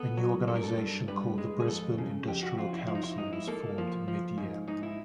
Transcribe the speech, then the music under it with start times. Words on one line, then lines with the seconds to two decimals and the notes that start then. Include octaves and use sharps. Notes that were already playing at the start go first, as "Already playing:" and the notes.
A new organisation called the Brisbane Industrial Council was formed midyear.
Already playing: B3 A4
0.17 F#3
0.47 G2 A4
0.55 A#4
0.64 A4
0.78 G2
1.08 G2 B4
1.38 G#3
1.60 G#4
1.68 F2 A4
1.98 C#3
2.28 F2 G4
2.43 F#4
2.58 F2 F4
2.73 E4
2.87 F3 E4
2.95 D#4
3.03 E4
3.18 G#2 D#4
3.33 E4
3.47 A#3 A4
3.78 F3
4.08 F3
4.38 G#2
4.67 G#2 D#4
4.83 E4